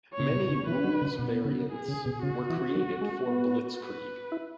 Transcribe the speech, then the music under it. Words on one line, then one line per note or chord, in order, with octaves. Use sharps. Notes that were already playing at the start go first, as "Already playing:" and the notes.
Many rules variants were created for "Blitzkrieg".
C#5
C#3
B2
C#3
E3 B4
F#3
C#3
B2 B3
C#3
G#4
C#3
B2
C#3 F#4
E3
F#3
G#3
B3
B4
E4